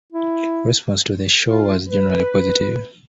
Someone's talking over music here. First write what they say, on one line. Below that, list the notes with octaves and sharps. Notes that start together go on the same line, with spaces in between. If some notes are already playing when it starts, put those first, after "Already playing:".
Response to the show was generally positive.
E4
F4
B4